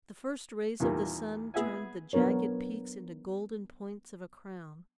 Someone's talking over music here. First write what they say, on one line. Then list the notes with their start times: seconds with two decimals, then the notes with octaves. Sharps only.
The first rays of the sun turned the jagged peaks into golden points of a crown.
0.80 E2 A#2 D#3 G3 A#3
1.54 B3 G#4 E5 F#5 G#5
2.13 F#3 B3 D4 A#4 C#5